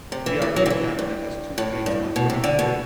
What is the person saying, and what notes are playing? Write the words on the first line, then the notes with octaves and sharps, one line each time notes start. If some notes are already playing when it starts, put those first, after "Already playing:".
The arcade cabinet has two screens - one for each player.
C3
E3
E3
F#3
D3
E3
G2
A2
G2
B2
C3
D3
B2